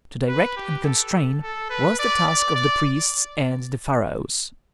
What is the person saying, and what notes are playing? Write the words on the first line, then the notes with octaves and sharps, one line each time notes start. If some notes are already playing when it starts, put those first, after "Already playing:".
To direct and constrain was the task of the priests and the pharaohs.
B4
G4
A4
A4
B4
D5
D5
D5